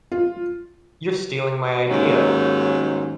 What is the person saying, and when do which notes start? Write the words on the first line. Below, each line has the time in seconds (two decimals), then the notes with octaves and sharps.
You're stealing my idea!
0.12 F4
1.89 D#2 G#2 D#3 F#3 C#4